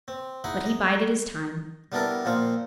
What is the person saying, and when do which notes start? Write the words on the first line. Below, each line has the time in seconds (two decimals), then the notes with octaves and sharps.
But he bided his time.
0.08 C4
0.44 D#4 E4 G#4 F#5
0.66 D#5
1.92 G3 B3 D4 E4 A4 A#4
2.25 A#2 F3 C4 F5